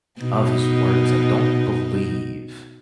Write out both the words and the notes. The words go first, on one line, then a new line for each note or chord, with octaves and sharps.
of his works, I don't believe.
B2 D#4